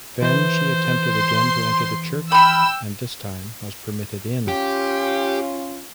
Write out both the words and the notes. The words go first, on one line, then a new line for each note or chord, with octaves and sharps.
Then she attempted again to enter the church, and this time was permitted in.
E3 C5
C6
G5 B5 E6 F6
C#4 F4 G4